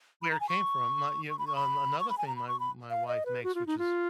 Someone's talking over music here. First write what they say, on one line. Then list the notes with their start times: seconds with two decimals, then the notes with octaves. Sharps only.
Where it came from. My you on another thing my w my wife makes, which is
0.22 B5
0.32 A#5
0.40 G#5
0.49 C#6
1.30 C#6
1.39 B5
1.47 C#6
1.56 B5
2.01 C#6
2.10 B5
2.18 G#5
2.27 A#5
2.36 B5
2.48 C#6
2.60 B5
2.90 F5
3.08 D#5
3.26 B4
3.44 F#4
3.55 F4
3.67 D#4
3.79 F4